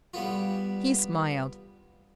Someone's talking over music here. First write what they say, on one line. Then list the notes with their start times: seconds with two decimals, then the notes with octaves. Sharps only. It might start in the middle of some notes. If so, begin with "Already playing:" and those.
He smiled.
0.14 G3 B3 F4